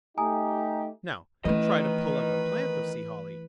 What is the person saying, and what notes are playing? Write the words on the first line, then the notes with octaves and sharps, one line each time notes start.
Now try to pull up a plant of Sea Holly.
A3 D#4 G4 G#5 A#5 D#6
D#3 E3 A3 C#4 B4 D#5